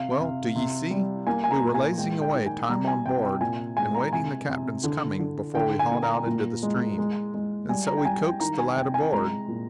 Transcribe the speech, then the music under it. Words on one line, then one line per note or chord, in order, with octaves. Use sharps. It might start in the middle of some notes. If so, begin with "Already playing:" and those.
Well, do ye see, we were lazing away time on board, and waiting the captain's coming before we hauled out into the stream, and so we coaxed the lad aboard.
Already playing: C3 F5
C3
C3
G3
A#3 G#5
G#5
A#5
A#2
G#5
G#3 G5
G5
D#3
G#5
G3 A#5
G#5
C3 G5
G5
A#2 G#5
G#3 G#5
A#5
C3 G#5
C3
D3
D3
D3 G5
G#5
A#3
A#5
A#2
G#3
G#3
G#3
G3 G#5
A#5
G5
G3 G#5
G5
D#3 A#5
G#5
C3 G5
G#5
G#3 A#5
A#2